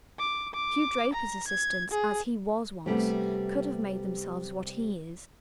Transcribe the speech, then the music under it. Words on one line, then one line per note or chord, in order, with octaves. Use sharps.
Few drapers' assistants, as he was once, could have made themselves what he is.'
D6
D6
A#5
G#6
G#4
C3 G3 A3 B3